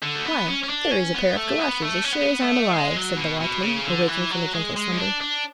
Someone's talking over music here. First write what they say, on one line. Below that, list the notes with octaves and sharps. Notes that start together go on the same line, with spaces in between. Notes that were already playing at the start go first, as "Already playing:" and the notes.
"Why, there is a pair of galoshes, as sure as I'm alive!" said the watchman, awaking from a gentle slumber.
D3
A3
B3
C#4
C#4
D4
C#4
B3
A3
B3
A3
C#4
B3
A3
G#3
F#3
B2
B2
C#3
D3
E3
F#3
G#3
G#3
C#4
D4
D4